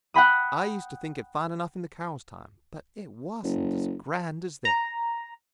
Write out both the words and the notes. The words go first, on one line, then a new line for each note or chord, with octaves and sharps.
I used to think it fine enough in the Carrolls' time, but it wasn't as grand as this.
F#5 G5 B5 D#6
F#1
A#5